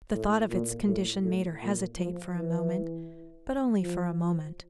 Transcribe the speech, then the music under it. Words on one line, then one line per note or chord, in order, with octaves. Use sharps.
The thought of its condition made her hesitate for a moment, but only for a moment.
A2
A#2
A2
A2
A#2
F3
E3
F3